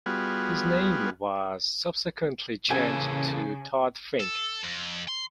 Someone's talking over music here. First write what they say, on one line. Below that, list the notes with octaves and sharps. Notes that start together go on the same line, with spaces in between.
His name was subsequently changed to Todd Fink.
G3 B3 F4 F#4 G#4
C#3 E3 A#3 A4 G#5
A4
F2
C6